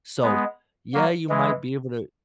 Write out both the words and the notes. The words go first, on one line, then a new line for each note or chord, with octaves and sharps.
so, yeah, you might be able to
G#3 B3
F#3 A#3
E3 G#3